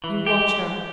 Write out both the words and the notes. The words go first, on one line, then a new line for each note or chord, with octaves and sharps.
You watch her.
E3
G4